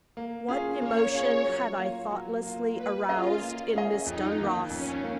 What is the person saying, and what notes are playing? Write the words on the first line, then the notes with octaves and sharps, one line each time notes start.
WHAT emotion had I thoughtlessly aroused in Miss Dunross?
A#3
C#4 F4 G#4
A#3 C#5
C#4 F4 G#4
F#3
A#3 F4
F#3
A#3 F4
A#3 B4
C#4 F4 G#4 D#5
A#3
C#4 G#4 D#5
F2 D#4
D#3 A#3
F2 C#4
A#3